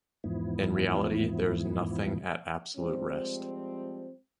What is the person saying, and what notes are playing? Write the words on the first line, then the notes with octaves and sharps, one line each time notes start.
In reality, there is nothing at absolute rest.
E2 G#2 F3 B3 E4
F3 G3 G#3 C4